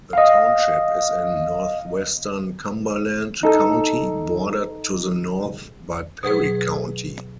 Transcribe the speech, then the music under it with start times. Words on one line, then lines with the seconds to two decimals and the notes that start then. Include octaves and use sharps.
The township is in northwestern Cumberland County, bordered to the north by Perry County.
0.13 D#5 F5
3.43 D#4 A4
6.23 B2 F#3 G#4 B4